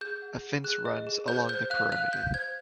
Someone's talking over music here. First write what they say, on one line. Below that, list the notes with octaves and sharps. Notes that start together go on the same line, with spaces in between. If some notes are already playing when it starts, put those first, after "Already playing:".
A fence runs along the perimeter.
G#4 G6
F#5
G#4
G#4 F#6
D#5
G#4
C5 G6
C5 G6
F5 F#6
F5 F#6
F5 G6
C5 G#6